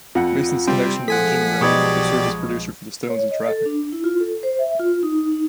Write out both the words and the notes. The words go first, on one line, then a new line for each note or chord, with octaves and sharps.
Mason's connection was Jimmy Miller, who served as producer for the Stones and Traffic.
F2 F4 F#5
C3 G3 C4
B1 F3 G#3 A4 F#5 G#5 B6
B2 B3 D#4 G4 D5 C#6 D#6 G#6
C#5
D#5
A4
D4
E4
F4
A4
C5
E5
F4
D#4
D#4